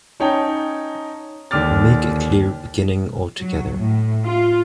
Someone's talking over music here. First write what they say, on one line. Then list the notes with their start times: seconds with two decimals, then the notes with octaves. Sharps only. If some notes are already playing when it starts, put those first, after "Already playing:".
Make a clear beginning altogether.
0.20 C#4 D#4 C#5 G5 A5
1.51 D#2 D3 D6 F6 A6
3.38 F#3
3.76 A2
4.25 F4